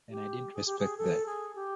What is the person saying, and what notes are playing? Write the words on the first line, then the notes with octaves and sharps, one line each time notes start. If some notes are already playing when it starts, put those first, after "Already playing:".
And I didn't respect that.
G4
G#4
G4
G#4
A4
G#4
G4